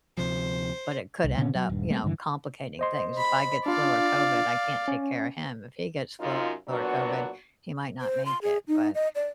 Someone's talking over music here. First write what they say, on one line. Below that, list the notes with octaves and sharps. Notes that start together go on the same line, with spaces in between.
but it could end up, you know, complicating things. If I get flu or COVID, I can't take care of him. If he gets flu or COVID, he might not make it," but
D2 C3 F3 C5
C2
A#2 D3 B3 C#4
F#3
D#1 G2
G3 A3 A#3 C4
G2 D3 E3
C5 D#5 C6
B5
D4 F4 D5 F5
C#4
F#2 D#4 F4
A#2 F#3 B3 D4 F#4
C5
C6
G#4
D#4
D#5
D5